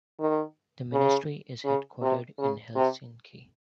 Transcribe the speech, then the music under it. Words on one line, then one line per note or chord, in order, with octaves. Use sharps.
The ministry is headquartered in Helsinki.
D#3
C#3
C#3
C3
C#3
C3